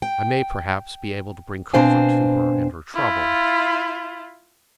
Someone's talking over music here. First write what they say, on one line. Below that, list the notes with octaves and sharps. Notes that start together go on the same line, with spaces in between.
I may, perhaps, be able to bring comfort to her in her trouble.
G5
B2 C4 D4 C5 F5 G#5
E4 F4